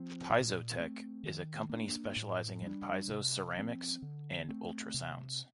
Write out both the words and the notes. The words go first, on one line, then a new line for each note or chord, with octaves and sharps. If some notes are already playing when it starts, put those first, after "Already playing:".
PiezoTech is a company specializing in piezo ceramics and ultrasounds.
Already playing: F3 C4
A#2
A3 C4
D#3
A#3 D4
A2
G3
D4
C3
F3 C4
D3
A3 C4
C3